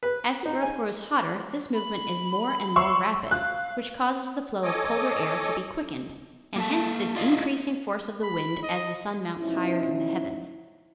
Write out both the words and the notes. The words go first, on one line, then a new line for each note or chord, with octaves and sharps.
As the earth grows hotter this movement is more and more rapid, which causes the flow of colder air to be quickened, and hence the increasing force of the wind as the sun mounts higher in the heavens.
B4
D#4
G#5
B5
C6 C#6 E6
F5 F#6
A4 C#5 D#5 G#5 D6 D#6
A#3 A4 A5
E4 F4 D5 D#5 F5
B5
D#5
B2 F3 C#4 D#4 E4